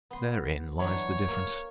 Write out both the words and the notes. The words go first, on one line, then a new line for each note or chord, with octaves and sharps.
Therein lies the difference.
B3 C6
E3 F#3 D4 C#5
A#3 F5